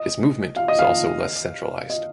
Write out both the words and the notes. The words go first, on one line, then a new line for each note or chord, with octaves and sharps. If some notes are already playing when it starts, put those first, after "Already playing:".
His movement was also less centralized.
Already playing: D#5
F5
D#5
F5
D#5